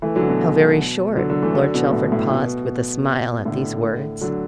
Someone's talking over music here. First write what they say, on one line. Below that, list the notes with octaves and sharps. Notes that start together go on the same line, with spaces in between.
'How very short!' Lord Chelford paused, with a smile, at these words.
E3 A3
D3 F#3
B2
D3 F#3
D3 F#3
E3 A3
D3 F#3
B2
A2
A2
B2
A2 D3
D3 F#3